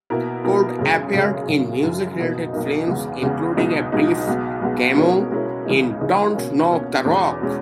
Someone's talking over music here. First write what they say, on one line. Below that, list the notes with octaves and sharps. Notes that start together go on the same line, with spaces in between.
Cole appeared in music-related films, including a brief cameo in "Don't Knock the Rock".
B2 A#3 E4 A#4
B2 A#3 E4 A#4
F#2 C#3 G#3 C#4 G#4
F#2 C#3 G#3 C#4 G#4
F#2 C#3 F#3
F#2 C#3 F#3
B1 B2 A#3 D#4
B1 B2 A#3 D#4
E2 C#3 G#3 B3
E2 C#3 G#3 B3
B1 B2 G#3 D#4
B1 B2 G#3 D#4
B1 B2 G#3 B3
B1 B2 G#3 B3
B2 G#3 C#4 E4 A#4
B2 G#3 C#4 E4 A#4
C#2 C#3 E3 G#3 D#4
C#2 C#3 E3 G#3 D#4
B2 A#3 C#4
B2 A#3 C#4
E2 B2 G#3 C#4
B2 G#3 C#4